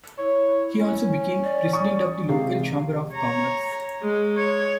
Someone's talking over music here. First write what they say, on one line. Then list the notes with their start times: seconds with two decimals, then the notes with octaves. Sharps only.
He also became president of the local Chamber of Commerce.
0.18 E4 C#5
0.81 C#4
1.44 D5
1.73 C#6 D#6
2.29 C3 G#3 F5
3.15 C#5 A#5
4.02 G#3
4.38 C#5